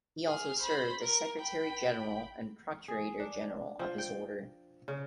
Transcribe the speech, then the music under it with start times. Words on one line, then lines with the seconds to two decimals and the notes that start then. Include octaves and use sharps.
He also served as secretary general and procurator general of his order.
0.25 G#4 F6
0.60 C5 B5
1.00 A#4
1.39 G5 B5
2.88 G#4
3.20 D4
3.79 F3
3.98 G5
4.88 C#3